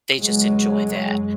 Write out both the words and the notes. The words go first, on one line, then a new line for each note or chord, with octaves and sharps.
they just enjoy that.
E2 C#3 F#3 G#3
F#2